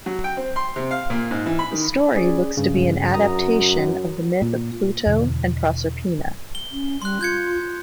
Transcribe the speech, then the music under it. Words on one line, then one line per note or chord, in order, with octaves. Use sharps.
The story looks to be an adaptation of the myth of Pluto and Proserpina.
F#3
G5
C4
C6
C3
F5
A#2
G#2
E3
B5
D#3
C#4 G#4 D5
G2 C#3
F#2 A#5 D#6
A#2
E2 B2 D3 E3
G7
C#4
G3 C6 F#6
F4 G6 G#6 C#7